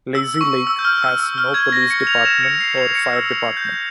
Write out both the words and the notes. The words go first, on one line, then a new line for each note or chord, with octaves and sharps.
Lazy Lake has no police department or fire department.
E6
E6
C#6
E6
G6
F6
E6
E6
F6
G#6
A#6
C#7
F7
E7
C#7
C7
F7
C#7
E6
G6